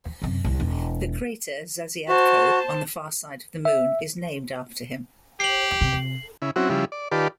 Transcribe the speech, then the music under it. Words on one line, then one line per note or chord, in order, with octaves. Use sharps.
The crater Zasyadko on the far side of the Moon is named after him.
F#2 C3
C2 G3
E1
F#4 C5 A5
E5
G4 C7 F#7
C3
C#3 E4
F#3 C4 C#4 E4 F#4
C#3 F3 G3 E4
D5
D#3 F4 G4 B4 D5 A5